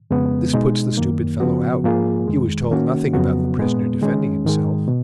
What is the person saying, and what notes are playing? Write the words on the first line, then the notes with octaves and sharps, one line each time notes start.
This puts the stupid fellow out, he was told nothing about the prisoner defending himself.
F2 C#3 G#3 B3
B2 G#3 D#4
F#2 D#3 A#3
C#3 F3 B3 F#4
G#2 F3 A#3 F4 G#4
F2 D#3 G#3
D#3 A#3 C#4 F#4
F2 C#3 F#3 B3 F#4
A#2 G#3 B3
D#3 G#3 C#4
G#2 D#3 G#3
B2